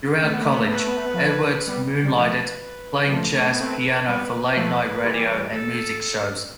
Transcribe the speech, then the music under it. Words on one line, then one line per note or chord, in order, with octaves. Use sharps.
Throughout college, Edwards moonlighted, playing jazz piano for late night radio and music shows.
A3 B4
B3
A3
B3
A3
B3 B4
A3
B3
A3
B3
F3 A3
G3 B3
G3
F3 A3 B4
B4
G3
F3 A3 C5
A3
B3
A3 C4 B4
G3 B3 B4
F3 A3 B4
E3 G3
A4